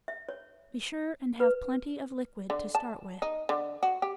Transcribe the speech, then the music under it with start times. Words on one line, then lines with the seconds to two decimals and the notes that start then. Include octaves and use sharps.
Be sure and have plenty of liquid to start with.
0.08 E5
0.29 C#5
1.40 B4
2.50 D3
2.75 A5
3.22 D#4
3.49 D3
3.83 F#4
4.02 G4